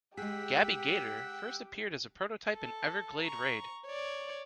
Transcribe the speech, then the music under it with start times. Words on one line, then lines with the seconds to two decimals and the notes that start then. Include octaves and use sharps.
Gabby Gator first appeared as a prototype in "Everglade Raid".
0.17 G#3 G4 G#4 F#5 G5 E6 B6
2.54 A4
3.22 A#5 C#6
3.87 C#5 D5